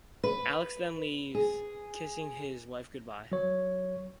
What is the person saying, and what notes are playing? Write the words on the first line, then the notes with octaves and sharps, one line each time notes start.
Alex then leaves, kissing his wife good-bye.
B4
G#4
F#3 C#5